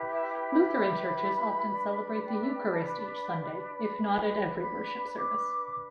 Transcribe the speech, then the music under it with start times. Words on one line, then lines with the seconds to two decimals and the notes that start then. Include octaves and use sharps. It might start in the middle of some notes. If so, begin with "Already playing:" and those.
Lutheran churches often celebrate the Eucharist each Sunday, if not at every worship service.
Already playing: E4 G4 B4
0.11 E5
0.30 G5
0.51 B5
1.67 D4 B4
2.25 G5
2.40 E5
2.54 G5
2.69 A5
2.83 B5
3.42 B5
4.00 D4 B4
4.59 B5
5.09 B5
5.16 D6